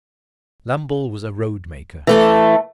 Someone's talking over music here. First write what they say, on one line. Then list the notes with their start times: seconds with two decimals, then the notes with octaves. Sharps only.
Lambole was a roadmaker.
2.07 E3 A3 A4